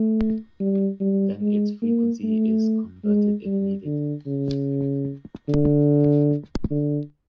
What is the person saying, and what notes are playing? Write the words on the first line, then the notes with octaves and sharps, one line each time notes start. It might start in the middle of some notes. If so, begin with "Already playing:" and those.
Then its frequency is converted if needed.
Already playing: A3
G3
G3
G#3
A#3
A3
G#3
G3
D3
C#3
D3
D3